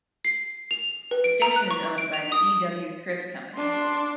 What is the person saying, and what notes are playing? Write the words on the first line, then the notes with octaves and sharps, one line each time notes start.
The station is owned by the E. W. Scripps Company.
C7
F7
B4
D7
A#5
F#6
C#6
D7
F7
D#6
D4 C6